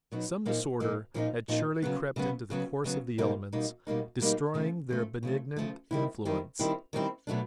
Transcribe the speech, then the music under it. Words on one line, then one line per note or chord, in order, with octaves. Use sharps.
SOME disorder had surely crept into the course of the elements, destroying their benignant influence.
B2 F#3 B3 D#4
A#2 F3 A#3 D#4
A#2 F3 A#3 D#4
A#2 F3 A#3 D#4
A#2 F3 A#3 D#4
C#3 F#3 B3
C#3 F#3 B3
C#3 F#3 B3
C#3 F#3 B3
B2 G3 A#3 D#4
B2 G3 A#3 D#4
B2 G3 A#3 D#4
B2 G3 A#3 D#4
C#3 F3 A3
C#3 F3 A3
C#3 F3 A3
C#3 F3 A3
D#3 G3 C4 E4
D#3 G3 C4 E4
D#3 G3 C4 E4
D#3 G3 C4 E4
B2 F#3 A3 D4